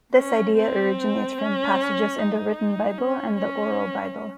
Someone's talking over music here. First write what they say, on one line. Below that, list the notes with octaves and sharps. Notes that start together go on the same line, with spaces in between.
This idea originates from passages in the Written Bible and the Oral Bible.
C#4
C4
C#4
D#4
C#4
C#4